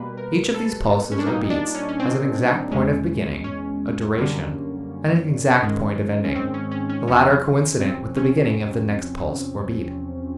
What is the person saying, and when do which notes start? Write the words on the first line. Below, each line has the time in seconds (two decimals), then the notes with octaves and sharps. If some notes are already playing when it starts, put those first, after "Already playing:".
Each of these pulses or beats has an exact point of beginning, a duration, and an exact point of ending, the latter coincident with the beginning of the next pulse or beat.
Already playing: B2 G3 A#3 B4
0.17 A#4
0.54 A4
1.12 C#4
1.19 D4
1.26 A#2 G3 A#3 D#4
1.50 D4
1.75 C#4
1.89 C#4
2.00 C4
2.71 E2 B2 G#3 C#4
3.44 C#4
4.18 F#2 D3 G3 A#3
5.62 G#2 D#3 G#3
6.25 C#4
6.35 C4
6.54 C#4
6.72 C#4
6.89 C#4
7.08 E2 C3 F3 C#4
7.81 C4
8.16 C#4